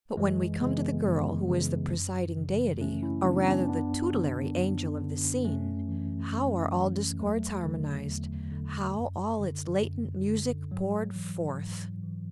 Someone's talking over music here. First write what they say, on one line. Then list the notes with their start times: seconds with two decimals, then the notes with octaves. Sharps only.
But when we come to the girl who is the presiding deity, or rather the tutelary angel of the scene, how are all discords harmonized; how all its latent music poured forth!
0.17 F#2 E3 G#3
0.61 C#3 E3 G#3 B3
1.05 F#2
1.49 C#3 E3
1.93 F#2
2.37 C#3 E3
2.81 F#2 A3 C#4
3.03 C#4 E4
3.25 C#3 E3 B3 D4
3.43 C#4
3.47 B3 D4
3.68 F#2 B3 D4
4.13 D3
4.56 F#2
5.01 D3
5.45 F#2 A3 C#4
5.88 E3
6.32 F#2
6.76 E3
7.20 E2 F#3 A3
7.64 D3
8.08 E2
8.52 D3
8.95 F#2
9.40 D3
9.83 F#2
10.27 D3
10.71 G#2 F#3
11.16 E3
11.59 G#2
12.03 E3